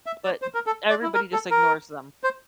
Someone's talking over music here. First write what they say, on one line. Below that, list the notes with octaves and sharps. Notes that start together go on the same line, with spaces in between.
but everybody just ignores them.
E5
D5
C5
A#4
A4
D5
E4
A#4
A4
A#4
C5